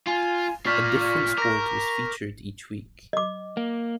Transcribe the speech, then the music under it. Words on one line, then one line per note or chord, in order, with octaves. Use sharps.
A different sport was featured each week.
F4 G#5
F4 D5 C#6 F6 G6 B6
A#4 D6 A#6
D#5 D6
A#3